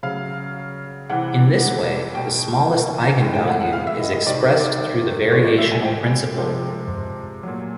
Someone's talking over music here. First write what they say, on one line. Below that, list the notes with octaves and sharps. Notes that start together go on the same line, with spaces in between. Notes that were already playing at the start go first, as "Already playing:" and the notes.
In this way, the smallest eigenvalue is expressed through the variational principle.
C#3 F#3 F5
C3 E3 G3 F#5
B2 G3 G5
A2 E3 G#3 G5
G5
F#5
F#5
F5
E5
D#5
D#5
C3 D#3 G3 D5
A2 E3 G#3 C#5
D5
E5
G#5
G5
C3 F3 G#3
A#2 F#3